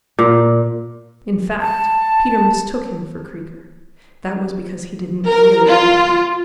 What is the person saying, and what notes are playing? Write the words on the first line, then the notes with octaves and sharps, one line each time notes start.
In fact, Peter mistook him for Creaker. That was because he didn't really look at him.
A#2
A5
A#4
F4